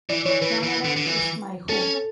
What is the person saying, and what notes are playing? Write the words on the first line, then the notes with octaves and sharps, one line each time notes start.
Canada is my home.
E3 D5
E3 C#5
E3 B4
E3
D3
D3
E3
C#4 A4